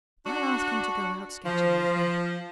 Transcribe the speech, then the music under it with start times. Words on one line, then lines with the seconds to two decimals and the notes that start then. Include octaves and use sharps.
'I'll ask him to go out sketching with me.
0.26 D4 F#4
1.45 F3